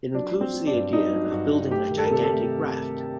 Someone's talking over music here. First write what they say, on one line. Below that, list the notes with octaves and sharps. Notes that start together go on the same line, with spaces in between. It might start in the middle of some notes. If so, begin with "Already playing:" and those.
It includes the idea of building a gigantic raft.
F#3 D4
F#3
C4
F#3
D4
G2
G2 D#4
F#3
G2 F#4
G2
A3 G4
D#3
A4
A#4
C3 A4
A4
A3